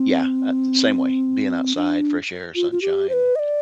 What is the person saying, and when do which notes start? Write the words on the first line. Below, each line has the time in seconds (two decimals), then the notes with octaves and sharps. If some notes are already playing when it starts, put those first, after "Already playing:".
yeah, uh, same way. Being outside, fresh air, sunshine,
Already playing: C4
1.76 D4
2.55 F4
2.72 F4
2.82 G4
3.09 C5
3.13 B4
3.36 D#5
3.39 D5